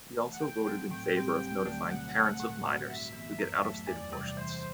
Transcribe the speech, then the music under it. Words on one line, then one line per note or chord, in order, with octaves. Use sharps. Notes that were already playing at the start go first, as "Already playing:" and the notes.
He also voted in favor of notifying parents of minors who get out-of-state abortions.
E3 A3
F#5
A2 G5
F#3 A3 C4
A2 G5
G3 C4 G4
D2
D3 F#3 A3
B2 F#5
F#3 A3
A2
G3 C4 F#4
G2 E5
E3 B3
F#2
F#3 A3
E2 D5
C3 E3 G3
E3 C5